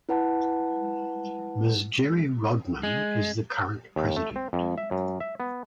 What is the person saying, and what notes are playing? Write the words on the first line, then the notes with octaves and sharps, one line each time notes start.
Ms. Geri Rodman is the current president.
E4 B4 F#5 A5
G#3
D#2
A3
C4
F2
E5
F#2
E5
B3